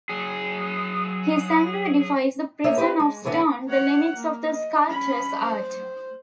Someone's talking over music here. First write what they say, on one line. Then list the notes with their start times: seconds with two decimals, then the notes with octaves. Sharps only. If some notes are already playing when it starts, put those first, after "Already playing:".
His anger defies the prison of stone, the limits of the sculptor's art.
0.09 F#3 G#4
2.64 A3 A#3 C#5 D#5 E5
2.78 C4 D#4 G4 B4
3.00 G#3
3.25 A2 D3 E3 B3
3.69 C#5 F#5
4.15 A#3
4.53 D#5
4.86 C#4 B5
5.42 C5